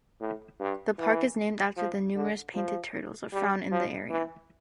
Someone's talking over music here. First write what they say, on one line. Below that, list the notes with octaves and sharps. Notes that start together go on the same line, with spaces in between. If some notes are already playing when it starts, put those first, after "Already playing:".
The park is named after the numerous painted turtles found in the area.
A2
G2
E3
F3
D3
F3
G3
F3
E3